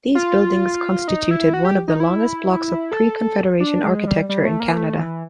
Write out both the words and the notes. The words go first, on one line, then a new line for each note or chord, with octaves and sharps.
These buildings constituted one of the longest blocks of pre-Confederation architecture in Canada.
F4
D#4
E4
F#4
G4
D#4
E4
A4
D4
G#3
G3
G3
A3
A#3
A3
E3